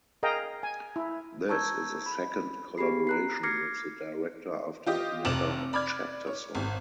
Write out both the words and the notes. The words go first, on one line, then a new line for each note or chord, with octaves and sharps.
This is the second collaboration with the director after "Another Chapter song".
G#4 A#4 D#5 F5 G5 A#5
G#5
E4
A5 A#5 C#6 E6 G6 G#6
B5
B3 G4 G#4 B5 C7
A#5 F#6 C7
D6 F6 G#6 A#6 C7 C#7
F4 G4 D#5
F1 D6 E7 F#7
D5 B5 D6 F6 G#6
C#5
G#1